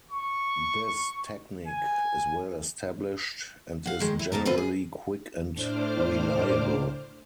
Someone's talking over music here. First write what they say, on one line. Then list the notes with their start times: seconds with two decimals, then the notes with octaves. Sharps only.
This technique is well established and is generally quick and reliable.
0.12 C#6
1.68 G#5
3.86 F5 F#5
4.00 D#3 G#3
4.19 E4
4.32 E2 C#3 A5 A#5
4.45 D3 C4 F4 B4 C5
4.58 G#4
5.53 A2 D4 C5 D6 F6